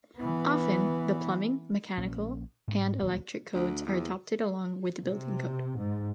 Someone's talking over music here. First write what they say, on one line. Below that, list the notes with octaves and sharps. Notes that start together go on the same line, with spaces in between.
Often, the plumbing, mechanical, and electric codes are adopted along with the building code.
E3 B3
A#1 A#3 C#4
G#2
D#1 D2
D2
E2
C3
G#2